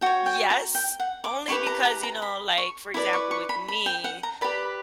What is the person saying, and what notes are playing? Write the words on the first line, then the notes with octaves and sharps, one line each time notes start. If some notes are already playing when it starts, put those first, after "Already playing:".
yes, only because, you know, like, for example, with me,
F#4 C#5 G5
G5
A#5
G5
F#5
D6
E4 G4 B4 C#6
A#5
A#5
A#5
B5
C#6
E4 B4 D5 D6
C#6
C#6
B5
B5
G5
F#5
A#5
G4 B4 D5 B5